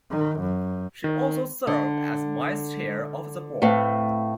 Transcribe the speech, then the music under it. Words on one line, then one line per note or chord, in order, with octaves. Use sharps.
She also served as vice-chair of the board.
D#3
F#2
D#3
D3
A2 A3 C4 B4 F5